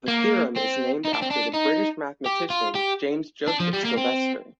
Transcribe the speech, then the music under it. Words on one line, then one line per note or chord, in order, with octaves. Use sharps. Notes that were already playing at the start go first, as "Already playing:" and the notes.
The theorem is named after the British mathematician James Joseph Sylvester.
A#3
C4
D#4
D4
C4
D4
D#4
G4
F4
G4
D4
F3
G3
A#3
C4